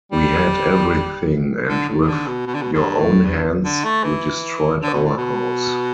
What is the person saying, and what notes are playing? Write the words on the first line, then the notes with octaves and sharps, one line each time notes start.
We had everything and with your own hands, you destroyed our house.
G3
D3
A2
E3
D3
B2
B2
D3
B2
G2
A2
G2
D3
A3
E3
D3
B2
A2
B2